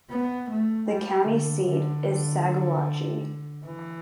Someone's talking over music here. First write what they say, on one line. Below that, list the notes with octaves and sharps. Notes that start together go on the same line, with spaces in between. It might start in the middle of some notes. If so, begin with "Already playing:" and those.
The county seat is Saguache.
B3
A3
G3
D3
D3
E3